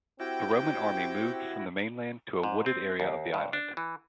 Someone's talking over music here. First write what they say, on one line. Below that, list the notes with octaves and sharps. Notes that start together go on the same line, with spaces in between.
The Roman army moved from the mainland to a wooded area of the island.
C4 E4 F#4 G4 G5
G#2
C4
D#2
G2
D4
E3